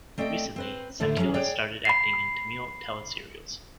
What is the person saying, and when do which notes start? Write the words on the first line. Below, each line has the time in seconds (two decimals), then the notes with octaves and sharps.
Recently, Senthil has started acting in Tamil tele-serials.
0.18 A3 C4 D5 D#5 G5
0.56 C4 B4 C5
1.00 D#2 A2 D3 A3 A4 C5
1.19 F#3 C#4 G#4
1.34 G#4 C#5 D5 G5
1.85 B5 C7